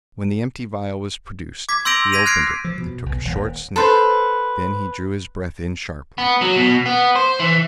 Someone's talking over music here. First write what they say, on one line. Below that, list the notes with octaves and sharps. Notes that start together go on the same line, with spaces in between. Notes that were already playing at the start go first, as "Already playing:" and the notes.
When the empty vial was produced he opened it and took a short sniff. Then he drew his breath in sharply.
D6 G#6 B6
C6 E6 G6 A#6 D7 F7
G#6 A#6 B6 D#7 F7
F6 F#6 G#6 C7 D7
F3
B2
B1
D#1
A4 B4 C5
B3
F#3
B2
B3
C5
E3